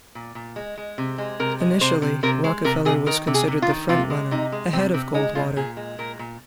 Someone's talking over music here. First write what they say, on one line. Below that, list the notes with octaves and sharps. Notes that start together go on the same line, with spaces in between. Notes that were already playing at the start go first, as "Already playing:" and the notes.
Initially, Rockefeller was considered the front-runner, ahead of Goldwater.
A#2
A#2
G#3
G#3
C3
G#3
C3 A#4
G#3
C3 C5
C3
C3 A#4
G#3 C5
C3 A#4
C3 G#4
D#3 A#4
C3
G#4
C3
F4
D#3
C3 F4
G#3
C3 D#4
G#3
C3 C4
C3 C4
G#3 D#4
C3 F4
A#2 G#4
G#3
A#2 A#4
A#2